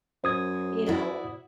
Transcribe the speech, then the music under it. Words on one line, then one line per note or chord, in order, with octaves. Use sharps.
you know,
F#2 C5 D#6 G#6
E4 F#4 D5